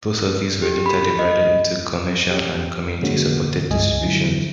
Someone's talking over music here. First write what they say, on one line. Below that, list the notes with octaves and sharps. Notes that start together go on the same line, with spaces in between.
Both of these were later divided into commercial and community-supported distributions.
G4
B5
D#5
C#4 G4
A#2 D3 G#3 A#3 C#4 F#4
C#2 G2 G#3 D#5 G#5
D3 F3 F#3 E4